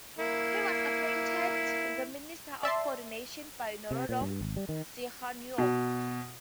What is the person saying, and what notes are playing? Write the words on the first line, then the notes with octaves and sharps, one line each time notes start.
He was appointed the Minister of Coordination by Norodom Sihanouk.
A#3 E4
D5 E5 A5 C6
C3
A#2
G2
G#1
G3
D#3
B2